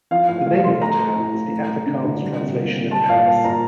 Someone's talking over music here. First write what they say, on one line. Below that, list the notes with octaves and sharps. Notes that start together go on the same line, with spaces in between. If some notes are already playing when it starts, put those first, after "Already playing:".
The name of the town is the Afrikaans translation of Paris.
F3 F5
A2 F5
A3 F5
A2 C6
A3 A#5
A3
A2
A2
A3
A3
D3
D3
G3
C3
A#3
C3
G3 A5
A#2 F5
A#3 A5
A#2 A#5